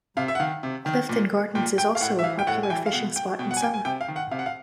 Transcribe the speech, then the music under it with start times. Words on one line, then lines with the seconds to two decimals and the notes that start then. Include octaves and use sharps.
Clifton Gardens is also a popular fishing spot in summer.
0.17 C3 F5
0.28 E5
0.35 F#5
0.40 D#3 F5
0.63 C3
0.86 D#3
1.09 A#2
1.55 A#2 G5
1.78 G5
1.95 F5
2.01 A2 F#5
2.19 E5
2.24 E3 F5
2.39 G5
2.47 A2 F#5
2.63 G#5
2.70 E3 G5
2.86 F5
2.93 B2 F#5
3.16 G5
3.39 B2 G5
3.51 F#5
3.57 G#5
3.62 G5
3.74 G#5
3.85 C3 G5
4.01 F5
4.08 D#3
4.16 F#5
4.31 C3 F5
4.39 F#5
4.46 F5